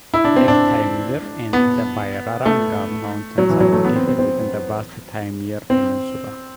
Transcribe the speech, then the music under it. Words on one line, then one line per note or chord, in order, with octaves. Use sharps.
Lake Taymyr and the Byrranga Mountains are located within the vast Taymyr Peninsula.
E4
D4
C4
D4
B3
A3
F#3
E3
F#3
A3
B3
C4
C4
C4
C4